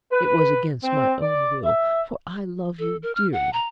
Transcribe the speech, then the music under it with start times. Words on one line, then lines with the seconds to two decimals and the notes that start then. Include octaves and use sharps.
It was against my own will, for I love you dearly.
0.10 B4
0.83 C4
1.21 D5
1.64 E5
2.79 A4
3.03 A#4
3.15 F6
3.32 F#5
3.53 A#5